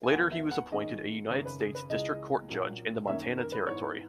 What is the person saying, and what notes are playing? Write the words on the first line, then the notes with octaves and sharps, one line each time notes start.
Later he was appointed a United States District Court judge in the Montana Territory.
G#5
D#2 D#3 F#3 B3 F#5
E5
F#5
G#2 D#3 G#3 C#4 D#5
G#1 F#2 C#3 C#5
B4
G#4
B4
C#2 C#3 E3 G#3 D#5
A#1 A#2 F#3 A#3 C#4
F#2 D#3 A#3 C#4 E5
A#4
B4
G#2 E3 B3 C#5